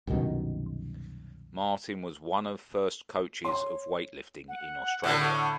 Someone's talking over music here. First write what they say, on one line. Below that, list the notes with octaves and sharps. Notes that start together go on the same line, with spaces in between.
Martyn was one of first coaches of weightlifting in Australia.
C2 F#2 B2 D#3
C#5 C6
F#5
A2 D3